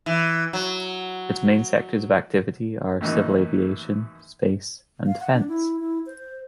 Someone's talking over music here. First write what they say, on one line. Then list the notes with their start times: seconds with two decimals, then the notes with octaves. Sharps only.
Its main sectors of activity are civil aviation, space and defence.
0.06 E3
0.53 F#3
3.01 F#2 A2 D#3 E3 A#3 D#4
5.07 F5
5.20 F#5
5.34 D4
5.48 E4
5.80 E4
6.06 C5